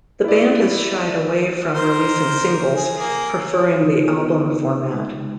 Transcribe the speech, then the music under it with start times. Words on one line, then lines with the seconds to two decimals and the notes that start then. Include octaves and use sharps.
The band has shied away from releasing singles, preferring the album format.
0.24 E4 D5
1.74 A#4 C5
2.75 G#4
2.98 A#3 G#4
3.49 C#5
3.75 D#4
3.89 F4
4.08 B3
4.46 C#3
4.92 G#3